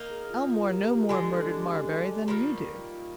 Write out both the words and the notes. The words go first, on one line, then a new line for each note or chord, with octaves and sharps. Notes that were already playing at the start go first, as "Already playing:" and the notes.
"Aylmore no more murdered Marbury than you did!"
Already playing: A#3 D#4 A#4
G#4
F4
F4
G4
G4
F4
D3 G#3 D4 G4
D#3 G3 A#3 F4
F4
F4